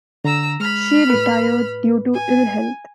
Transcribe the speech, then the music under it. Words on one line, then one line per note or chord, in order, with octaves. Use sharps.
She retired due to ill health.
D3 A#5 E6
G#3 B5 F6
A2 B4
G#5